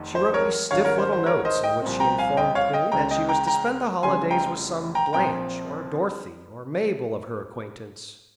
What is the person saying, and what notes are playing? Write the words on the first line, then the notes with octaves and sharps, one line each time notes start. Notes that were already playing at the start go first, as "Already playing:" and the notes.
She wrote me stiff little notes in which she informed me that she was to spend the holidays with some Blanche or Dorothy or Mabel of her acquaintance.
Already playing: F1 F2 D#3
C5
A#4 C#5
G#1 G#2 D#3 G3 C#4 C#5 F5
A#4 C#5
C5
C5
A#4 C#5
C5 D#5
D#5 G5
C2 A#2 F3 C4
G5 A#5
F5 G#5
D#5 G5
C#5 F5
D#5 G5
C#2 C#3 G#3 C#4 G5 A#5
D#5 G5
G5 A#5
G5 A#5
F1 F2 C#3 G3 G#5 C6
G5 A#5
G5 A#5
A#1 A#2 F3 C4 G5 A#5